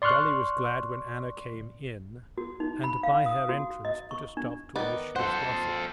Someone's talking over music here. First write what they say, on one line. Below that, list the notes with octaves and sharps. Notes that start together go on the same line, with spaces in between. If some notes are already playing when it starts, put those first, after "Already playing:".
Dolly was glad when Anna came in, and by her entrance put a stop to Annushka's gossip.
D5 C6 C#6 F6 F#6
F#4
D#4
B5
F5
D#6
F#4
D#5
C#6
D4
D#3 B3 D5
A4 C5 F#5